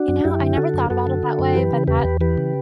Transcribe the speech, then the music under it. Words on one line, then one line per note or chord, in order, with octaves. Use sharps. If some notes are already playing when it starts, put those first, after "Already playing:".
You know, I never thought about it that way, but that
Already playing: D4 F#4
F#2
F#2 E4 G4
D3
D3 F#4 A4
F#2
F#2 F#4 A4
D3
D3
F#2
E3 G4 B4
C#3
E2 G4 B4
E2
E3 G4 B4
C#3